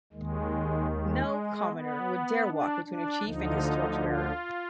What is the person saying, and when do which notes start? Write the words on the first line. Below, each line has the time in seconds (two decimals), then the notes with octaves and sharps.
No commoner would dare walk between a chief and his torch-bearer.
0.13 D#2 D#3 G#3
0.90 G#3
1.69 B3
2.46 D4
2.84 D4
3.23 D2 D3 F3 D#4
4.01 F4